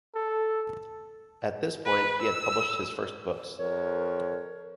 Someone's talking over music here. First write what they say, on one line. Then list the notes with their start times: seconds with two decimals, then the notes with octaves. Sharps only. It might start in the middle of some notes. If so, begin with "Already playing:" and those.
At this point he had published his first books.
0.15 A4
1.86 B4
2.22 E6
3.59 F2 A#4 C#5